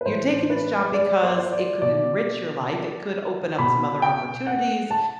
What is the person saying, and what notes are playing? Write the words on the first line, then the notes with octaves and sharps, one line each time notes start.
you're taking this job because it could enrich your life, it could open up some other opportunities,
B4
A2 E3 C5
B4
D5
C5
D5
C5
D5
B2 D5
B2 B5
G5
F#5
A5